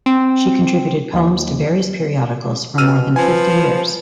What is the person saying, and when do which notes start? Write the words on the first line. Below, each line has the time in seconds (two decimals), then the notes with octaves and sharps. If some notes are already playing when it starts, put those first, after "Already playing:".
She contributed poems to various periodicals for more than fifty years.
0.06 C4
1.14 D#2
2.78 B2 E6 F6 D#7
3.16 F3 B4 G#5